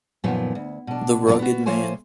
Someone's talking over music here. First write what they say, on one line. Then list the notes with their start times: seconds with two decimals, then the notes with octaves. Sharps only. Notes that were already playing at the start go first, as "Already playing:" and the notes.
The Rugged Man.
0.24 F#2 A#2 D#3 F3 B3
0.55 D2
0.87 B2 D4
1.27 F2 B2 D3 D4 F5
1.39 B3 F#4
1.66 F3 A3 A#3 C5 C#5 G#5